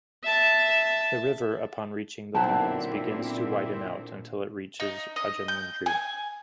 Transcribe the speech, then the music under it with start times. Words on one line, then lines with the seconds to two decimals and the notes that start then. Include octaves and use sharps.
The river upon reaching the plains begins to widen out until it reaches Rajamundry.
0.24 E5 A5
2.35 B1 A#2 D3 C4 E4 B4 C#5 A5
4.80 D#4
5.16 D#5
5.48 G6
5.86 G#5